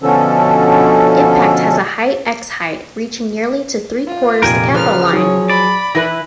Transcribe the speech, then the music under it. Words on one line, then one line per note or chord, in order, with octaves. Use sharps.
Impact has a high x-height, reaching nearly to three-quarters the capital line.
B2 D3 F3 C#4 A4
F4
F1 A#2 G4 A#4 G5 G#5
C#3 F3 A#3 B4 F6
F#3 G#4 C#5 D#6
D5 B5
E3 E4 B4 A#6